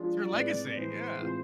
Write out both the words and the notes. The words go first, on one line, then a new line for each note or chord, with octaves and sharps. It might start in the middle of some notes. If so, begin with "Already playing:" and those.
It's her legacy, yeah.
Already playing: F3 G#3 D4 F4
D5
A2 G#3 C4 G#4 B4
A2 E3 G#3 B3 C5
A2 E3 G#3 C4 F4